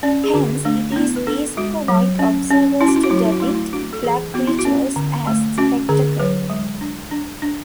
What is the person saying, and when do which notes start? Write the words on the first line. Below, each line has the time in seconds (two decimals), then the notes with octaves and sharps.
Hence it is easy for white observers to depict black rituals as spectacle.
0.03 C#4 D5
0.24 G#4
0.34 D3 F#4
0.65 A3 D4
0.92 D4
0.96 B3 E4
1.16 B4
1.27 D4 A4
1.57 G#3 F#4
1.88 F#3
2.19 C#4
2.50 C#4
2.81 C#4 E4
2.88 F#4
2.96 E4
3.03 F#4
3.10 F#3 E4
3.18 F#4
3.25 E4
3.32 F#4
3.40 A3 E4
3.48 F#4
3.55 E4
3.73 D4 F#4
3.93 A4
4.04 E3 G#4
4.34 B3 F#4
4.47 E4
4.59 F#4
4.65 C#4
4.96 D3
5.27 A3
5.58 C#4 F#4
5.89 D3 G#4
6.20 F#3 B4
6.50 G#3
6.81 D4
7.11 D4
7.42 D4